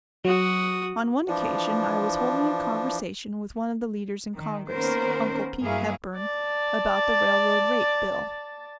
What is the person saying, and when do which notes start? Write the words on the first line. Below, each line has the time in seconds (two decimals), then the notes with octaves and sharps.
On one occasion I was holding a conversation with one of the leaders in Congress, Uncle Pete Hepburn, about the Railroad Rate Bill.
0.25 F#3 F#4 D#6
1.28 E3 F3 D4
4.37 D#3
4.72 D#3 A#3 B3 C#4 A#4 C5
5.64 G2 F#3 A#3 E4 G#4 F5
6.16 D5 A5